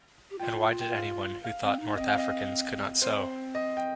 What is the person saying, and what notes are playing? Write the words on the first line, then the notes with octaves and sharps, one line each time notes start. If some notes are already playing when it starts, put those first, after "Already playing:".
And why did anyone who thought North Africans could not sew?
G4
F4 G5
G5
F5
F5
C4
D#4
C4 D#5
F5
D#5
C4 C5
D#5
G5